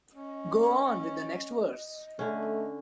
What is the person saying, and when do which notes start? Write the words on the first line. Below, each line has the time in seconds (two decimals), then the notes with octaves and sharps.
Go on with the next verse.
0.13 C#4 D#5
2.19 D3 A3 C#4